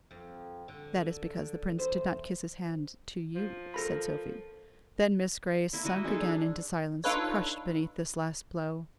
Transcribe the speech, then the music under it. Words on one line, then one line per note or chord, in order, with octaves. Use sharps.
"That is because the prince did not kiss his hand to you," said Sophy. Then Miss Grey sunk again into silence, crushed beneath this last blow.
F2
D3
E2 C5
F3
A4 A#4 B5
A#3 E4
E4 F#4 D#5
G#3 D#4 G#4 A4
D4
D4 D#4 F4 A4 B4 C#5